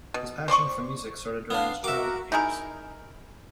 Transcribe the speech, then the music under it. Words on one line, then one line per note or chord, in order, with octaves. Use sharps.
His passion for music started during his childhood years.
B2
C5 D5 C6 C#6
B3 D4 F5
F#4 A#4 E5 D6
D#4 E4 G#4 A#4